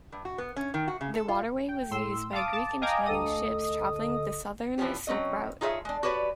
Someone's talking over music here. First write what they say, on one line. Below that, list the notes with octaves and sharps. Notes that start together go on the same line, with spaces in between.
The waterway was used by Greek and Chinese ships travelling the southern Silk Route.
G2
F#4
B3
C#4
D#3
F#4
C#3
A4
F4
G5
A2 C6 E6
F5 A5 D6 D#6
A5 D6
D#5 F5 G5 G#5 A#5 D6
D2 A4 D#5 D#6
E3 F3 B3 C#4 G4
F#3 C4 C#4 D#5
D#4 F4 G#4 C#5 D#5 E5
G#3 D4
F#4 G4 B4 C#5 D5